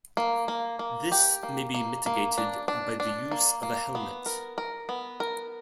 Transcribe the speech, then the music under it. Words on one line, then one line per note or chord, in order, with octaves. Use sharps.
This may be mitigated by the use of a helmet.
A#3
A#3
A#3
G4
A#3
A#3
A#3
D4
D4
D4
A#3
A#3
B3
A#4
A#4
B3
A#4